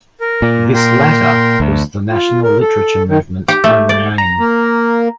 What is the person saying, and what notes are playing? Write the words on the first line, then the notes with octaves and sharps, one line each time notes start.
This latter was the National Literature movement's primary aim.
A#4
A#2
A#4 G5 C6
D2
F4
A#4
A4
D#3
G4
A3
D5
A#5
A#3